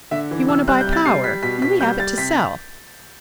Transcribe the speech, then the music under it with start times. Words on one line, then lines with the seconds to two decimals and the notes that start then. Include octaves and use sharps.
You want to buy power, and we have it to sell.
0.11 D3 E5
0.31 E3
0.49 C3 E6
0.68 G3 F#6
0.81 G6
0.87 C3
0.93 A6
1.05 G3 C7
1.24 G3 B6
1.43 B2 B6
1.62 B2 B6
1.80 G3 G6
1.99 G3 A6
2.18 C3 B6